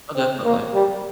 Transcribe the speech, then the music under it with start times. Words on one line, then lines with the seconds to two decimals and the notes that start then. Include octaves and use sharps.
Oh, definitely.
0.15 C4
0.44 A#3
0.73 G3